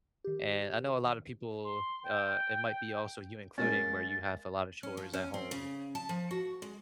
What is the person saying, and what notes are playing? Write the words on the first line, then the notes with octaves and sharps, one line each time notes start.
And I know a lot of people, uh, it might be also you including, where you have a lot of chores at home,
D#3 G4
C6
G5
G#3 A#3 C#4 A6
C#4
F3
C#4
C4
C#3
A5
F3
F#4
G#3